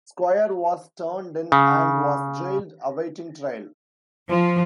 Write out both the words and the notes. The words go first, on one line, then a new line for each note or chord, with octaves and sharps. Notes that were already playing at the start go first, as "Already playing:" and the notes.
Squier was turned in and was jailed awaiting trial.
C#3
F3